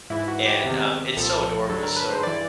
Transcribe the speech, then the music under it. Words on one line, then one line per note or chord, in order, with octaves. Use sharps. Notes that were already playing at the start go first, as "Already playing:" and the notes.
and, um, it's so adorable. So,
G#2 E3 E4
F#4
G4
E2 C3 D#3
C2 A#2 F3 A4
G2 D3 F#3 A4
A#4
B4
C5
G2 E3 D5